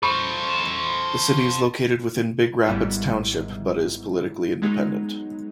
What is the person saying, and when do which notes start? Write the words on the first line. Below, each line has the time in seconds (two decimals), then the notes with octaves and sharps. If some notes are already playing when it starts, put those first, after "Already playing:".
The city is located within Big Rapids Township, but is politically independent.
0.03 A4 C5 B5 C#6
2.66 G#1 G#2 G3 B3 E4 D#5
4.62 F#3 G#3 B3 D#4